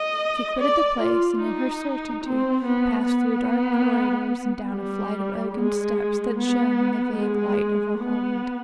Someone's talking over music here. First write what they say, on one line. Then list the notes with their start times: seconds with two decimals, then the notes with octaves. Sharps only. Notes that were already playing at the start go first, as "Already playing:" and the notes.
She quitted the place and in her certainty passed through dark corridors and down a flight of oaken steps that shone in the vague light of a hall-window.
Already playing: D#5
0.59 D5
1.01 F4
1.42 D#4
2.24 C4
2.64 B3
3.06 B3
4.71 G3
5.52 G#3
6.35 B3
7.17 G#3
7.99 B3